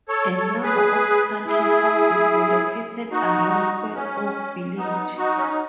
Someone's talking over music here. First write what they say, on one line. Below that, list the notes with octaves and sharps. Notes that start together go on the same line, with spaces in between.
A number of country houses were located around Fair Oak village.
A4 C#5
A4 C#5
G#4 B4
E4 G#4
D#4 F#4
C#4
B3 D#4
D#4 F#4
C#4
D#4